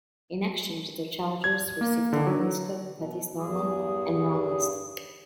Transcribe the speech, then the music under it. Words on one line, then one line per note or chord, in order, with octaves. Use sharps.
In exchange, the Chargers received Tony Liscio, Pettis Norman, and Ron East.
G#6
A#3
D3
F#3
B2
E2 G2 G#4